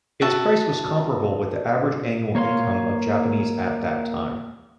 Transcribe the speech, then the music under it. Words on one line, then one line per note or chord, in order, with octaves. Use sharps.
Its price was comparable with the average annual income of Japanese at that time.
F#4 E5 A5
A#3 C#5 F5 C6